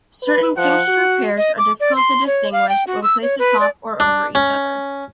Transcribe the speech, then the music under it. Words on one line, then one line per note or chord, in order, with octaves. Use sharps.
Certain tincture pairs are difficult to distinguish when placed atop or over each other.
B4
F3 F#5
F#4
D#5
D6
D5
C6
C#5
F5
G5
F#4
E6
C#5
B4
D5
D4
C#4